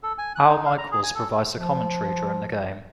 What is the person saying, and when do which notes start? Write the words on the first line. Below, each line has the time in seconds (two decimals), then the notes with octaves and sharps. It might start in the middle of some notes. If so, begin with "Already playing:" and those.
Al Michaels provides the commentary during the game.
0.03 A4
0.18 G#5
0.36 F#6
0.47 D#4
0.66 F5
0.78 A#5
0.92 G#4
1.03 G#5
1.15 A4
1.54 F3